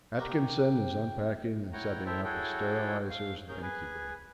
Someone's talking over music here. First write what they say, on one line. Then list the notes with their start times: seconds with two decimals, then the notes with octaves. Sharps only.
Atkinson is unpacking and setting up his sterilizers and incubators.
0.19 F#4 G4 A#4 G5
1.73 E4 C#5 F#5 G5 A#5
2.06 E4 A4 A#4 C5 E5 G5
2.24 E4 F#4 G#4 A4 C#5 G5
3.10 F5
3.49 C#4 G#4 A#4 G6
3.62 G#4 B4 G#5